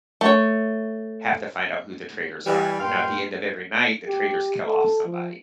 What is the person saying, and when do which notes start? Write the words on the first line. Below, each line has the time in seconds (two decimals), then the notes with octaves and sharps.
have to find out who the traitors are, now at the end of every night the traitors kill off somebody
0.21 A3 C#5
2.46 E3 G3
2.80 G2 A#2 F5 G5 C6
4.07 G4
4.66 A4
5.05 F3